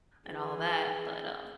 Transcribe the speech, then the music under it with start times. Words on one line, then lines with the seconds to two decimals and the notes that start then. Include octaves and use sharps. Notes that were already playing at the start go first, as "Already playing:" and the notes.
and all that, but, um
0.28 E3 G#4